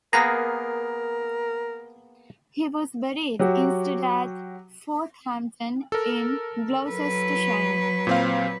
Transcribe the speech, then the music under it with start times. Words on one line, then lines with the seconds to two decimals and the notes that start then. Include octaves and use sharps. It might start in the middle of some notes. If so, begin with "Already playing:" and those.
He was buried instead at Forthampton in Gloucestershire.
0.13 A#3 B3 G#4 A#4 A#5
3.39 F#3 F#4 G4
5.92 A4 A#4
6.90 F#3 B4
8.07 A#2 C4 F5